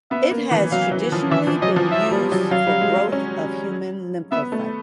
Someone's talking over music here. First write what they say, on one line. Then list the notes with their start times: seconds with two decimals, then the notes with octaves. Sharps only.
It has traditionally been used for growth of human lymphocytes.
0.11 B3 E5
0.31 A#3
0.51 E3
0.71 F#3 F5
0.91 F#3
1.12 F3
1.31 E3 E5
1.47 F3
1.62 F#3 D#5
1.76 F3
1.91 E5
2.12 G3
2.32 F#3
2.51 F#3 F5
2.67 G3
2.81 G#3
2.96 G#3
3.12 C#4
4.32 B3 E5
4.52 A3